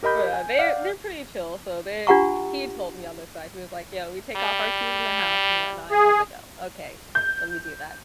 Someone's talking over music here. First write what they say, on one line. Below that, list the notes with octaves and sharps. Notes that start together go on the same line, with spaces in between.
Well, they're they're pretty chill, so, they he told me on the side. He was like, "Yeah. We take off our shoes in the house and whatnot," and I was like, "Oh, okay. Let me do that,"
G4 A#4 D#5 B5 G6
G#5
D5 F5 F#5
D4 F4 G4 F#5 A#5 C#6
G3
G#4
G6